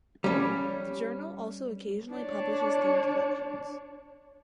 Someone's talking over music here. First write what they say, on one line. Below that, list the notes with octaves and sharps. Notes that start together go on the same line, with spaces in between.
The journal also occasionally publishes themed collections.
G3 C#4
D4 C#5